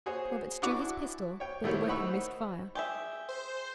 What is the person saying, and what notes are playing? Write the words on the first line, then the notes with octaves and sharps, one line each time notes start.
Roberts drew his pistol but the weapon missed fire.
F#4 G#4 C5 C#5
D4 E4 F#4 F#5 C#6 D6
C#5 G5
D#3 A3 E4 G4 C5 C#5
D#4 C5 F#5 B5 C#6 E6
G4 G#4 E5
C5